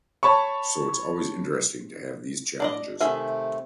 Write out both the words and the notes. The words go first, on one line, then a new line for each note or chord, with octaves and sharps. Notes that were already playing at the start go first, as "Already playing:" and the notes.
So it’s always interesting to have these challenges!
C#5 A5 B5 C#6
D4 D5 D#5
C3 D#3 A3 G#4 E5